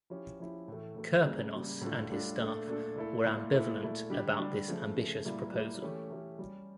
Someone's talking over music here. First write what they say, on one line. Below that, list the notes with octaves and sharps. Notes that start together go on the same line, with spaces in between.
Kirponos, and his staff were ambivalent about this ambitious proposal.
F3 C#4 E4 G4
F3 C#4 E4 G4
A2 E3 A3
A2 E3 A3
C#3 G3 A#3
C#3 G3 A#3
A2 G3 D4 F4 A4
A2 G3 D4 F4 A4
A#2 A3 D4 A4
A#2 A3 D4 A4
A#2 A3 E4 A4
A#2 A3 E4 A4
A#2 A3 E4 A4
A#2 A3 E4 A4
D3 G3 D4 G4
D3 G3 D4 G4
C#3 F3 A3
C#3 F3 A3
A#2 G3 A#3 E4
A#2 G3 A#3 E4
E3 A3 C#4 G4
E3 A3 C#4 G4
G3 C#4 G4